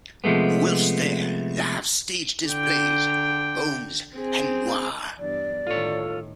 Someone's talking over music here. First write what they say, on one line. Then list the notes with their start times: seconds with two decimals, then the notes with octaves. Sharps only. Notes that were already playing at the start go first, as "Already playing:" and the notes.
Whilst there, Live staged his plays, "Bones" and "Noir".
0.24 C3 F3 G#3 A3 B3
2.48 D3 G5
4.16 C4 G#4
5.19 E2 G2 D5
5.67 A2 D#3 F4 A4 C#5